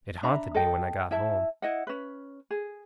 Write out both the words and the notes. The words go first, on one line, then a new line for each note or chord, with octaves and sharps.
It haunted me when I got home.
D4 E5 A#5 B5
A4 D#5 G5
E4 E5 A5
E4 D#5 F#5
C#4 B4
G#4